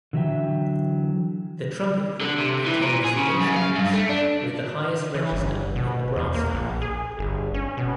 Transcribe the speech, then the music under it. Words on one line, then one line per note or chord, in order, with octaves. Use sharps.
The trumpet group contains the instruments with the highest register in the brass family.
D3 E3 F#3 D5 E5 G5
D3
C3
E3
A#2
G#4
C#3
F#2
F5
G2
A3
D4
E3
G1
B2
E2
A#3
A#1
G#4
G1
C#4
B2